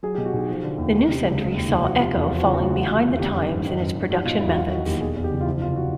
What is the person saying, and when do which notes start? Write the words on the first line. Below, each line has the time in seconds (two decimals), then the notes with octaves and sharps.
The new century saw the "Echo" falling behind the times in its production methods.
0.03 F#3 G#4
0.14 B2 G4
0.25 F#4
0.33 B1 G4
0.49 F3
0.63 D3
0.78 D#2
0.94 D#3
1.09 C3
1.24 C#2
1.38 C#3
1.54 D#2
1.69 F1
1.84 F3 F#4
1.99 C3 F4
2.14 E2 E4
2.29 F3 F4
2.37 F#4
2.44 C#3 F4
2.54 F#4
2.59 D2 F4
2.70 F#4
2.75 E3 F4
2.89 C3
3.05 F2
3.19 D3 G4
3.35 F#2
3.50 G#1
3.66 D#3
3.80 F#2
3.96 G#1
4.10 G3 F#4
4.25 B2 F4
4.40 E2 E4
4.49 F#4
4.55 F#3 F4
4.71 D#3 F#4
4.86 D#2 G4
5.00 B2 G#4
5.16 E2
5.24 G4
5.31 F#1
5.41 F4
5.46 F3 E4
5.61 C3 F4
5.76 F#4